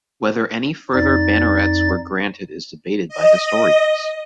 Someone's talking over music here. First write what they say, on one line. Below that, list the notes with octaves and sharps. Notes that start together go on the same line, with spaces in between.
Whether any further bannerets were granted is debated by historians.
F2 D#4 D5 A6
D#5